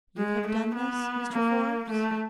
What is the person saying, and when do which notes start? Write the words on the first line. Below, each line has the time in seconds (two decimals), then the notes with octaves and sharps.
"You have done this, Mr. Forbes?"
0.17 G#3
0.47 A3
0.75 B3
1.33 A#3
1.90 A3